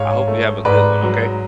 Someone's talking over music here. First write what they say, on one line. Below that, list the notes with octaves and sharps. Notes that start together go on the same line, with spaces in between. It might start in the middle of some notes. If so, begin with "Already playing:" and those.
I hope you have a good one, okay?
Already playing: G#2 C#5 F5
A3
G#2 B4 D5
F#3